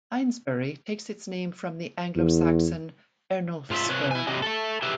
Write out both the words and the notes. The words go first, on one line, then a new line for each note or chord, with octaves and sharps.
Eynesbury takes its name from the Anglo-Saxon "Ernulf's Burgh".
E2
G#2 F4 G#4 E5
C3 B4 C#5
E4 G#5
C3 F#3 G4 D#5
A4 E5
G4 G#4 B4 E5